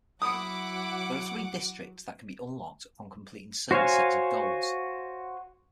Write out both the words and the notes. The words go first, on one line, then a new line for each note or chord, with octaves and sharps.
There are three districts that can be unlocked upon completing certain sets of goals.
F#3 E4 F#5 B5 D6 D#6
F#4 C5 C#5 F5 G#5